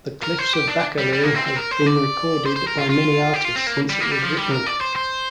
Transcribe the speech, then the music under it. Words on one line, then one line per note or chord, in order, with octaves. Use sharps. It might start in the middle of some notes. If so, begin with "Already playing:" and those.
"The Cliffs of Baccalieu" has been recorded by many artists since it was written.
A#4
C5
G4
D4
G3
G3
A#3
C4
C4
A#4
C5
D5
C5
C5
A#4
F4
F4
G4
F4
C4
A#3
G3
A#3
G3
F3
G3
A#4
D5
C5
C5